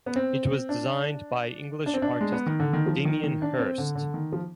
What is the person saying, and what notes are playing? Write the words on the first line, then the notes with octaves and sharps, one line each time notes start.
It was designed by English artist Damien Hirst.
B3
C4
D4
D4
C4
D4
G#3
B3
D#3
D3
D#3
F3
D#3
D#3
D4
C4
D3
D3
D#3
F3